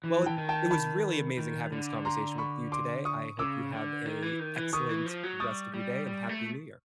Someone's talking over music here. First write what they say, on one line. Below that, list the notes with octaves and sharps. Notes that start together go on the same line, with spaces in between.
Well, it it was really amazing having this conversation with you today. I hope you have a excellent rest of your day, and happy New Year.
E3
G5 A5
D#3
G5 A5
A5 B5
D#3
D3
A#5 C6
B5 C#6
C6 D6
C#6 D#6
C#3 D6 E6
D3
D#3
E3
D#3
E3
D#3 C#6 D#6
E3
F3
F#3
G3 C#6 D#6
G3
G3
A3